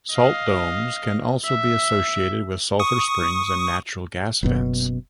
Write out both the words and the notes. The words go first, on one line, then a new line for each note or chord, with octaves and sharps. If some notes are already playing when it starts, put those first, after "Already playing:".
Salt domes can also be associated with sulfur springs and natural gas vents.
D#5 F5
E5
C#6 D#6
F#1 F#2 B2